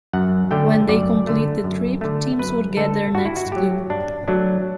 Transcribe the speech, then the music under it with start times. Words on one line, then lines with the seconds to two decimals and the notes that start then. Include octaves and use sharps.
When they complete the trip, teams would get their next clue.
0.13 F#2 F#5
0.51 D3 A3 G5
0.88 F#2 D5
1.27 D3 A3
1.64 F#2
2.01 D3 A3
2.39 F#2 B4
2.77 D3 A3 A4
3.15 G2 F#4
3.25 E4
3.37 F#4
3.52 F#3 A3 G4
3.90 G2 D4
4.28 F#3 A3 D4